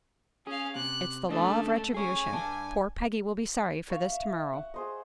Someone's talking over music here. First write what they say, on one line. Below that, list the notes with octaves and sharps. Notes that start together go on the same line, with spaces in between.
"It's the law of retribution. Poor Peggy will be sorry for this tomorrow."
C#4 G#4 F5
C3 F#6
C#2 A3 D4 D#5
G#4 C#5 G#5
G2 D5 A5
F5 C#6
E5
F#5
G#4 C5 D#5